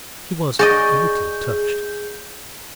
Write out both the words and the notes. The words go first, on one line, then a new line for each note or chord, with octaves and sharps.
She was a little touched.
F#4 G#4 D5 D#5 G6